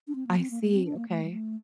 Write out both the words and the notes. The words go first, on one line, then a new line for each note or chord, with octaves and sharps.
I see, okay.
D4
C4
A#3
C4
A#3
A3
C4
D4
A#3
A3
G3
A3